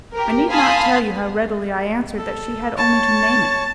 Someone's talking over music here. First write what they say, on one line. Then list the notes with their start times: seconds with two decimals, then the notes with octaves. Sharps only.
I need not tell you how readily I answered that she had only to name it.
0.14 G4 A#4
0.50 F5 G#5 A5 B5 C6 D#6
2.18 A4
2.77 C#5 A5